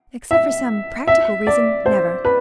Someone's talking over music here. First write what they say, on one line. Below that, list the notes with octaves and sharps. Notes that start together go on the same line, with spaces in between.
"Except for some practical reason--never."
E5
E5
D5
C5
B4